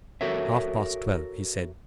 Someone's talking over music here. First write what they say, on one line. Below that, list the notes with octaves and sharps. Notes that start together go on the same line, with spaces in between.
"Half-past twelve," he said.
F#4 A4 A#4 C#5 E5